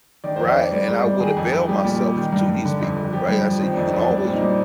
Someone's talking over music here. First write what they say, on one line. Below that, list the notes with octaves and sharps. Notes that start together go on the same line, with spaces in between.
Right, and I would avail myself to these people, right? I say, "You can always"
D#3 D5
F2 C5
D5
F2
G3 D5
G#2
D5
G3
D#3 G#4
F2
F2
G3 G4
A#2
G3
D#3
G2
G2
D3
F2
F2
F3 G4
G2
F3
D#3 C4
F2 D4
D#4
F2 D4
G3 C4
D4
A#2 C4
D#4
G3